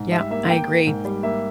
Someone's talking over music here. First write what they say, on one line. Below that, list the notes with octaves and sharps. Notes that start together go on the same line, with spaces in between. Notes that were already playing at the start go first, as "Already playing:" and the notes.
Yeah, I agree,
Already playing: G#2
G3 E5
A#3 E5
A#3 G5
A#3
G#2
G3
A#3 E5